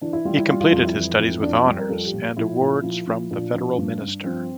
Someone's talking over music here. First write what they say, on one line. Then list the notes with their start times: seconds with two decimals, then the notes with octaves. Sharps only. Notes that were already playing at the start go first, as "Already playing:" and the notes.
He completed his studies with honours and awards from the Federal Minister.
0.02 E3 D4
0.13 E4
0.25 G3 F4
0.37 E4
0.48 G3 F4
0.60 F4
0.72 F2 F4
0.84 E4
0.96 E3
1.19 F2
1.42 F2 D4
1.54 F4
1.66 G3
1.78 A#4
1.89 F3 A4
2.05 G4
2.13 A#2
2.37 F3 E4
2.61 A#2
2.83 F3
3.07 F3
3.31 A#2 D4
3.54 F3
3.78 G2
4.02 G2
4.24 F3 C4